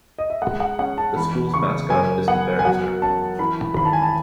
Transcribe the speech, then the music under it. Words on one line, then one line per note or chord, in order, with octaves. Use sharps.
The school's mascot is the Barrister.
D#5
E5
G#3 F#5
F#5
C#4 F#5
A5
E2 B5
C#3 C#6
F#2 G#5
B3 F#5
G#5
F#3 F#5
C#4 A5
E3 B5
G#1 B5
A5
G#5
A5